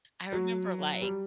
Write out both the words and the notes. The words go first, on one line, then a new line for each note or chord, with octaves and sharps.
I remember like
F#3
G3